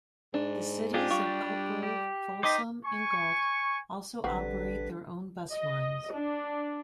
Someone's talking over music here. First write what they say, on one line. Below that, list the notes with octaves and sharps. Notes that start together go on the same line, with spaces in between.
The cities of Elk Grove, Folsom and Galt also operate their own bus lines.
G#2 D4
D4 F4 G4 G#4
G3 F4 C#6
G4
D#4 C5 D#5 G5 D6 B6
G#5 C#6
A1 D3 G3 C4 F#4 B4 B6
D#5
D4